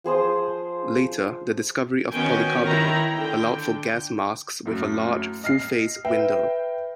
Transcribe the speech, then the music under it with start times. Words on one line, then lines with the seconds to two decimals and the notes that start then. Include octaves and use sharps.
Later, the discovery of polycarbonate allowed for gas masks with a large full-face window.
0.04 F3 G#4 C5 D#6
2.10 D#3 B3 C#4 F#4 G5 G#5
2.64 D#3 E4 A#5
3.12 D3 G5
4.66 F#2 A2
5.44 D#5 F6 C7
6.05 B4 E5 G5